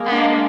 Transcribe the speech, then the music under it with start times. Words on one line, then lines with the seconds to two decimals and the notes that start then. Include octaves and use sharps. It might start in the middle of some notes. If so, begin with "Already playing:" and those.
And I
Already playing: G#3 A#3
0.12 D4